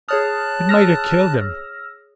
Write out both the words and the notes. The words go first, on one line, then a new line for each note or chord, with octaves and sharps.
It mighta killed him.
G#4 C#5 A5 D#6 F6 F#6
E6 F6 A#6